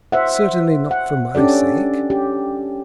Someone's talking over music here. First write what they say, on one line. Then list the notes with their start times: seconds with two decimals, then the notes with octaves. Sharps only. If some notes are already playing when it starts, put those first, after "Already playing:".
"Certainly not for my sake."
0.12 C5 E5 F#5
0.91 F#5
1.35 C#4 D4 G4 A4 D5
2.10 G4